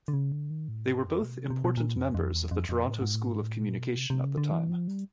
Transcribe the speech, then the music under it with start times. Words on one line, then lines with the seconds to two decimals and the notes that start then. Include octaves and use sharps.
They were both important members of the Toronto School of Communication at the time.
0.08 D3
0.13 C#3
0.32 D3
0.50 D#3
0.69 A2
0.87 G#2
1.05 F2
1.23 B2
1.37 C3
1.50 C3
1.64 B2
1.77 A#2
1.96 F2
2.15 F2
2.32 E2
2.51 F2
2.69 F2
2.88 A2
3.01 G#2
3.14 A2
3.28 G#2
3.42 A2
3.60 A#2
3.79 B2
3.97 C3
4.10 C3
4.25 C#3
4.37 D3
4.51 E3
4.70 F3
4.88 G3